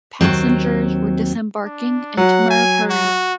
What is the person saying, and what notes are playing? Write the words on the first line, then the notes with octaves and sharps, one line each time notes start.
Passengers were disembarking, and Timur hurried.
D#2 G#2 F#3 C4
D4
F#3 F#5
G#5
F#4